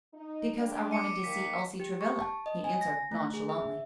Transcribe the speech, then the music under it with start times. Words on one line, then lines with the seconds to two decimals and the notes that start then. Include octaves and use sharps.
"Because I wanted to see Elsie Travilla," he answered nonchalantly.
0.14 D#4
0.58 G3 D4
0.91 D6 C#7 D#7
1.24 D#2 B6
1.80 G4
2.01 C#6
2.21 A5
2.46 D#5
2.64 G#5
2.81 A#6
3.12 A3
3.34 G#4
3.49 E5